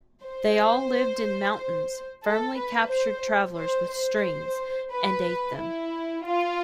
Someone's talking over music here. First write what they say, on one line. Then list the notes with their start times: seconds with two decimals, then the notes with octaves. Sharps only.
They all lived in mountains, firmly captured travelers with strings, and ate them.
0.24 C5
2.25 A4
2.58 B4
2.91 C5
3.58 C5
3.92 C5
4.93 B4
5.58 E4
6.26 F4